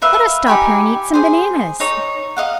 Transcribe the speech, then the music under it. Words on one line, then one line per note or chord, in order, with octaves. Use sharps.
Let us stop here and eat some bananas.
A#4 B4 E5 F5
D#4 G4 G#5 B5
G#4 C5
D#4 C#5 A#5
D#5 F5 F#5